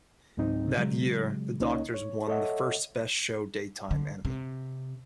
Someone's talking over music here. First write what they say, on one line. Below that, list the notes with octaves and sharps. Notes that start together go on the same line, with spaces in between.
That year, "The Doctors" won the first Best Show Daytime Emmy.
C#2 G#2 F#3 C4 D#4
C#3 F#3 G#3
C#2 A#3 C#4 D#4 C#5 D#5
C#5
A4 C#5 D#5 E5 F#5
D3
C3